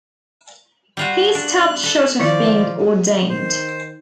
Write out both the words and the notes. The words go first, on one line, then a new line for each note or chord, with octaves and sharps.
He stopped short of being ordained.
G3 F4 F#4
D4 F#6
A4 B4
D#3 F3 E4 D5
D#3 C5